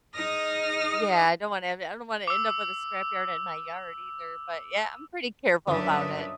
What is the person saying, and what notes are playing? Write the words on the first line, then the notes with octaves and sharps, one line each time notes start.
Yeah, I don't wanna and I don't wanna end up with a scrap yard at my yard either, but, yeah, I'm pretty careful about it.
D#4 G#4 D#5 D#6 F6 A#6
D6 E6
G1 F#2 F#3 D4 B4 C#5 D#5 E5